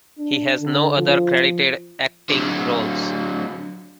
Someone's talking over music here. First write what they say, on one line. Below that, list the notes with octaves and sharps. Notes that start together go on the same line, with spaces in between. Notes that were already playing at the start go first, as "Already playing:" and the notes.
He has no other credited acting roles.
D4
D3
F3
D3 F#3